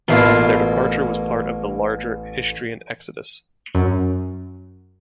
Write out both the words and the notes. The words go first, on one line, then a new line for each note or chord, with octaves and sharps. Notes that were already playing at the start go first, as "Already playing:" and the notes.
Their departure was part of the larger Istrian exodus.
A1 B2 A#3 F4 E5 C7
F#2